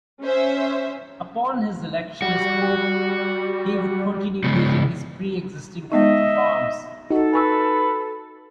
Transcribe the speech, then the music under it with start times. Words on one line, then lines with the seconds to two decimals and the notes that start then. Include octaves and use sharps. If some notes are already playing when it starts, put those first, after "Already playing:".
Upon his election as pope, he would continue using his pre-existing coat of arms.
0.22 C#4 C5 E5
2.22 G3 F#4
4.44 C#3 G#3 B3
5.92 G#3 B3 D#4 D#5 E5
7.10 D#4 F#4 A4
7.34 B4 G#5 C#6 E6